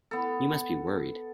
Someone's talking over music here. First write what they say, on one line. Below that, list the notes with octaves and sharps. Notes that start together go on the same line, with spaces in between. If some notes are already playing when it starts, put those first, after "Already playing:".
You must be worried.
B3 A4